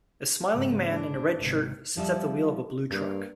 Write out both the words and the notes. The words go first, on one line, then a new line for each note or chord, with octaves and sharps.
A smiling man in a red shirt sits at the wheel of a blue truck.
G#2 C#3
D4
G#1 C3
F3 G3 E5
G2 A#3